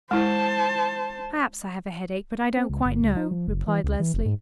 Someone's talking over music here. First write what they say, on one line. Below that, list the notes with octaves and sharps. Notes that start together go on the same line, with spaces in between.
"Perhaps I have a headache; but I don't quite know," replied Leslie.
G#3 E4 C5 A5
C4
C#2
G1
C#2
D#4
F3
F#1
E3
C#2
E3
F1
G#2